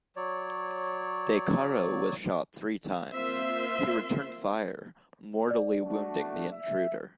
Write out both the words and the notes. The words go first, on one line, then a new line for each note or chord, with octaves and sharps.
De Caro was shot three times; he returned fire, mortally wounding the intruder.
F#3 C#5 D5
A#3 C4 F4 C5 E5 C6
D5
A3 D4 F#4
E5